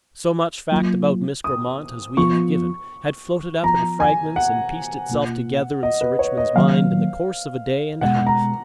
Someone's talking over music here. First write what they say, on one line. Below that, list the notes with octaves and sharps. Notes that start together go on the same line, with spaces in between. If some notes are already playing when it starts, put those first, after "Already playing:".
So much fact about Miss Grammont as we have given had floated up in fragments and pieced itself together in Sir Richmond's mind in the course of a day and a half.
F#3 A#3 F4
D#6
F3 B3 F4 C#6
F3 B3 F4 A#5
G#5
F#5
B2 A#3 F4
D#5
B4
C#5
D#5
D#3 F#3 A#3 F5
B2 G#3 B3 F#5
A#5